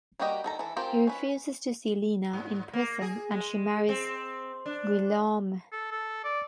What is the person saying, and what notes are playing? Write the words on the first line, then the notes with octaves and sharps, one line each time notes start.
He refuses to see Lina in prison and she marries Guillaume.
G3 A#3 F#4 G4 D#5
D#3 A4 A#5
E3 A4
C4 F4 G4 A#4
C#4 B4
G#2
A#3
G#4
G#3
C4
D4
A4
A4
D5